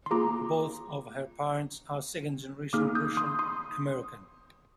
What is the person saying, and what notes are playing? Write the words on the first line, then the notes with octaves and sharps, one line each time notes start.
Both of her parents are second-generation Russian American.
C6
A#3 F4 G#4 A#5 D6
A#3 D#4 G#4 D6 F6
D#6 G6
C6 D#6
C6 D#6